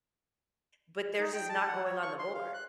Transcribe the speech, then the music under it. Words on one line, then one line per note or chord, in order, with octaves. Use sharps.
but theirs is not going on the board.
D#4
G5
A5
F#5
C#5
C#6
C6
F5
F#6